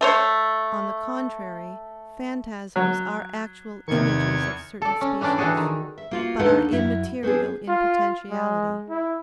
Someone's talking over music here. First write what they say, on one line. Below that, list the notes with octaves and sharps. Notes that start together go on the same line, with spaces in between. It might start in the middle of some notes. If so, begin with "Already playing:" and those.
On the contrary, phantasms are actual images of certain species, but are immaterial in potentiality.
A3 C5 C#5
F#3
E2 C3 D#3 C#6 G#6
A4 D5
C#4
E3 G3 C#4 D4 D5
E3 G3 D4 F#4 G#4 A4
D#3
E5
A#3 F4 F#4
D#2 D4 D#4 A4 B4 F#5
F#2 F#3 E4
B3 C4 D4 G#4
F4
G#3
E4